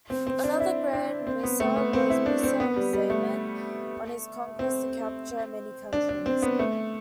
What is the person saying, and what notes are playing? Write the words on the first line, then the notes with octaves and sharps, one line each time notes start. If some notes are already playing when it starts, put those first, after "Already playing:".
Another Grand Musab was Musab Zaman, on his conquest to capture many countries.
C4
C4
D4
E4
D4
C4
B3
A3
B3
C4
E4
D4
C4
B3
G3
G3
A3
C4
D4
D4
C4
B3
A3